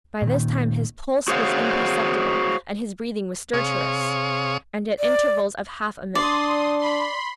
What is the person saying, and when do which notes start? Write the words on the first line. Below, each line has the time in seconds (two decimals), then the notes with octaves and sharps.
By this time his pulse was imperceptible and his breathing was stertorous, and at intervals of half a minute.
0.22 A#2 D#3
1.28 F#4 G#4 C5 C#5 F5 F#5
3.53 C3 G#4 C#5 F5 C#6 D#6
4.99 D5
6.15 D4 D5 C6 D#6
6.79 B5 C6